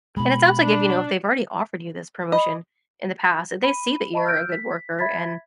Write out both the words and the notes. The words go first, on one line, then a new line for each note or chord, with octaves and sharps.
and it sounds like if you know, if they've already offered you this promotion in the past, if they see that you're a good worker and,
B2 G#3 B5
D4
D#5 B5
B5 D#7
D#5 A5 B5 C#6
E6 F6 G6 D7
B6
E5 B5 G#6 A6 B6